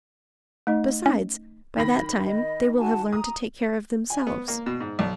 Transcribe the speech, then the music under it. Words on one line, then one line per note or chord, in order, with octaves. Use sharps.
"Besides, by that time they will have learned to take care of themselves."
A3 D#4 D#5
C#4
D#3 B5 A#6
D#5
F#4 G#5 A5
A#5 D#6
G#5
B3
A#3
B2
G#2
B1